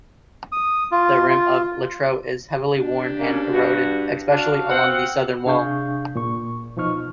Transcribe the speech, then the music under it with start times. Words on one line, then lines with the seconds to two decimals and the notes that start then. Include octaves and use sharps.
The rim of Littrow is heavily worn and eroded, especially along the southern wall.
0.52 D#6
0.92 F4
1.29 F4
2.75 D4 G4
3.20 B2 A#3 C#4
3.53 G2 F#4
4.29 D4 F#4 F5
4.69 C4 F#5
5.46 C3 D4 G#4 F5 C#6 G6
6.16 A#2 C#6
6.77 B2 F3 D#4 C#6 F6